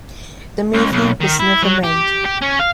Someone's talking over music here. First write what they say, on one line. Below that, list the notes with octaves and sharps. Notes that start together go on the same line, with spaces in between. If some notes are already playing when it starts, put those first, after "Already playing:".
The movie was never made.
C#2
B1
D#3
E4
F#3
G4
G4
C#4
F5